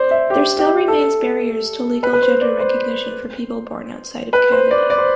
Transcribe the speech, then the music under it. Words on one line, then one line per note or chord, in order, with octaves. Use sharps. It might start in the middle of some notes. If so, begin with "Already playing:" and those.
There still remains barriers to legal gender recognition for people born outside of Canada.
Already playing: C5 D5
E5
G4
G4
A4
B4
B4
C5
D5
C5
B4
C5
D5
D5
C5